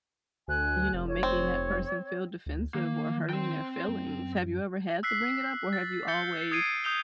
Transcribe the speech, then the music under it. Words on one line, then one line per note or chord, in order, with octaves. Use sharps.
you know, making that person feel defensive or hurting their feelings. Have you ever had to bring it up or have you always
D2 G#5 F#6
F1
C#5
C4
D2
D#3 A#3
C4 G5
F#2
E6 F#6 B6 C7
A6
G6 A6 C#7 G7
D#6 G#6 C7 D7 D#7
D#6 G6 F7 G7